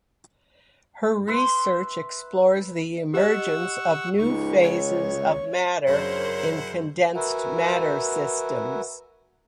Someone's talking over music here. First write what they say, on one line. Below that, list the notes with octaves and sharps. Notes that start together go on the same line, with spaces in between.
Her research explores the emergence of new phases of matter in condensed matter systems.
B4 E5 C6
G4 D#5 F#5 C#6 E6
C#2 D#4 C#6
C#5 C#6
F#2 C#3 D4 E4 A#4 C5 C#5 F#5
F#4 A#4 B4 E5 F#5 G#5